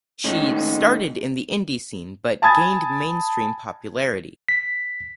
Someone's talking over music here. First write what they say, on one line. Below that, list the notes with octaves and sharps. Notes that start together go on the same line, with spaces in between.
She started in the indie scene but gained mainstream popularity.
A2 D#3 G#3 C#4 D#4
G#5 A5 B5 D#6 G#6 A6
B6